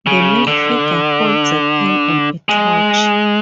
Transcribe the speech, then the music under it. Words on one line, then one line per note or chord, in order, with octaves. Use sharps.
The male figure holds a pen and a torch.
C#3
D3
G#3